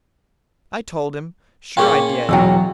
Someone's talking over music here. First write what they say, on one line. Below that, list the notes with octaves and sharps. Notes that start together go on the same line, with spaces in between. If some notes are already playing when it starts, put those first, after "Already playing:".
I told him; sure I did.
A#3 C#4 F4 G#4 G5
E2 B2 F#3 G5 E6